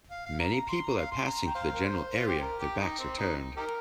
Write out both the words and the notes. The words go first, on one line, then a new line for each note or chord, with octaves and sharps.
Many people are passing through the general area their backs are turned.
F5
F5
A#5
A#5
C6
A#5
F5
C6
A#5
G5
C5 F5
A#4
C5
F4
G4
A#4
G4
D#4
C4
D#4
D#4 G4 A#4